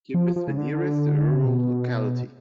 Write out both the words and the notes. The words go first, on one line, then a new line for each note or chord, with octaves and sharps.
Kim is the nearest rural locality.
F3
F3
C#3
D3
C#3
B2